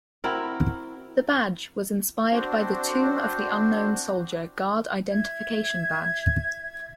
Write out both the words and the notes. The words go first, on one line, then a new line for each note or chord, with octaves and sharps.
The badge was inspired by the Tomb of the Unknown Soldier Guard Identification Badge.
C4 E4 F#4 A#4
C4 D4 F#4 C5
E5 G#6